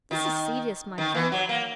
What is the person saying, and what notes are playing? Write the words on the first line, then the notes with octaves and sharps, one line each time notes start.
This is serious, my friend!
D#3
D#3
E3
F#3
A#3